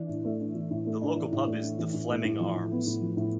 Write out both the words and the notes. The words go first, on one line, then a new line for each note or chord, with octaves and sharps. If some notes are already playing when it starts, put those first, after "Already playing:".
The local pub is "The Fleming Arms".
Already playing: E3 D4
A2
A3
D4
E3
A2
A3
D4
E3
A2
A3
D4
E3
A2
A3
A2
F3
A2
B3
A2
F3
A2